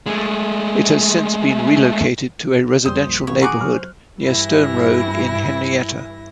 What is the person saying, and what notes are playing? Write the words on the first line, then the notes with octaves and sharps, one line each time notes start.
It has since been relocated to a residential neighborhood near Stone Road in Henrietta.
G#3 A3
F2 C#3 G3 C5 D#6
A#1 B6
A1 B2 C#5
F#4 G#4 A#5 C#6 D6 F#6
F#3 C#6 F6
C5
G2 E3 E4 A#6